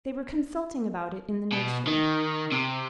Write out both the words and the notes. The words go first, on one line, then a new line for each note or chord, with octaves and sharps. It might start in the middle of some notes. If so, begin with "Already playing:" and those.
They were consulting about it in the nursery.
B2
D#3
C3